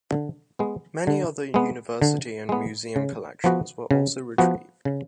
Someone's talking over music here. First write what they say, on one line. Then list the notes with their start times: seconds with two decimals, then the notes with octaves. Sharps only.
Many other university and museum collections were also retrieved.
0.12 D3
0.59 G#3 B3
1.07 D3
1.54 G#3 B3
2.02 D3
2.49 G#3 B3
2.96 C#3
3.44 F3 B3 F#4
3.91 C#3
4.38 F3 B3 F#4
4.85 C#3